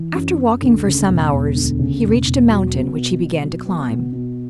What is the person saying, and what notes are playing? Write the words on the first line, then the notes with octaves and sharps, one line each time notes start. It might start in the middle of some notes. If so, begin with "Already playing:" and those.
After walking for some hours he reached a mountain, which he began to climb.
Already playing: E3
F#2
F#2
D2
C#3
E1
E1
D2
C#3
E1
E1
F#3
B3
B2
B2
F#3
B3
B2
B2